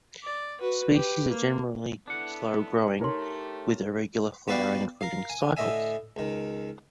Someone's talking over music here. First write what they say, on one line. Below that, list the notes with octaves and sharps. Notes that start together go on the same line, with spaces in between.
Species are generally slow growing with irregular flowering and fruiting cycles.
D5
F#4 B4
G4 B4
A#3
B3 D4 E4 A4 F#5
A3 D#4 G4 A#4 C#5 C6
B3 F#4 B4 D5 F5 G5
A#4 F5
G#5
A2 D3 D#5 E5 G#5
C#2 D#3